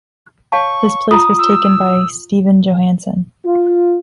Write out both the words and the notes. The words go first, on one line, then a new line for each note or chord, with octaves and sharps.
His place was taken by Stefan Johansson.
C#5 F5 A5 C#6
F4 A#5 D#6
E6
F4